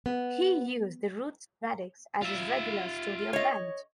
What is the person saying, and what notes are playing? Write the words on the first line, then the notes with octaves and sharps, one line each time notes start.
He used the Roots Radics as his regular studio band.
B3
F4 E5
C#5 D#5